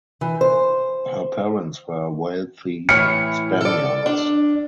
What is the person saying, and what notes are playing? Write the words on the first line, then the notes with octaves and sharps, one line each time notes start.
Her parents were wealthy Spaniards.
E3
C5
A2 E3 F6 C#7
A4 D5
D4